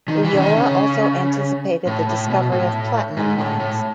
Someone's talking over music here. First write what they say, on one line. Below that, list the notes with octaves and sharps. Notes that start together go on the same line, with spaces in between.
Ulloa also anticipated the discovery of platinum mines.
D#3
E3
C#3
D#3
C#3
A2
A2
B2
A2
G#2
A2
A2